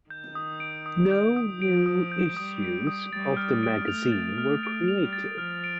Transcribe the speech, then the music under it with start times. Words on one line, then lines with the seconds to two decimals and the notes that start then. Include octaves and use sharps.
No new issues of the magazine were created.
0.10 D#3 G6
0.35 D#6
0.60 D7
0.86 D#6
1.11 G6
1.36 D#6
1.61 F3 D7
1.86 D#6
2.12 G6
2.37 G3 D#6
2.62 D7
2.87 D#6
3.13 G3 A6
3.37 F6
3.63 D7
3.88 A3 F7
4.12 A6
4.38 F6
4.63 A3 D7
4.88 F7
5.01 G3
5.13 A6
5.38 F3 F6
5.64 D7